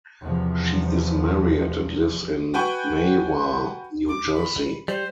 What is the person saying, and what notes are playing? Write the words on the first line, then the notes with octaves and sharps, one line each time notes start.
She is married and lives in Mahwah, New Jersey.
E2 C3 F3
F#4 B4 G5 G#5 C#6
D6
B5
G3 C5